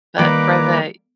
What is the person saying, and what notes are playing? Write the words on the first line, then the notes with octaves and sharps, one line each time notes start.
But, for the
D#3 G3 A#3 B4 A#5 D6